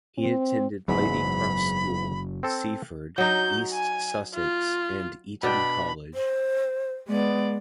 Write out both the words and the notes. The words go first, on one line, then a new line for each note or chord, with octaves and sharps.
He attended Ladycross School, Seaford, East Sussex and Eton College.
C4
F#1 E2 G#2 F#3 B5
C4 A4
F#3 D#4 G6
G#5
F4
B2 D4 G5 B5
C5
G#3 B3 D5